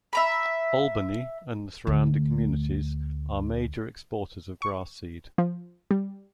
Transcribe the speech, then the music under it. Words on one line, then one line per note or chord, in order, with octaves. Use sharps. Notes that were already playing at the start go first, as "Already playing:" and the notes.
Albany and the surrounding communities are major exporters of grass seed.
E5 A#5 B5
D2 A3
C#6
F3
G3